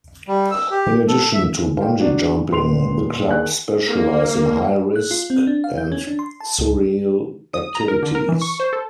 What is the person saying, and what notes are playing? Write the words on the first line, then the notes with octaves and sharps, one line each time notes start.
In addition to bungee jumping, the club specialised in high risk and surreal activities.
G3
E6
G4
A4
E5
F5 G5
F#3 D4
D#1 B3 C6 F7
D#2 D#3 G#4 F#6
A#3
F#6
F4
C4
D4
F5
G6
C#4
D4
C6
A5
C#2
D#6
A#5
A#4
D3
A#4
E3
C#6
C5
A4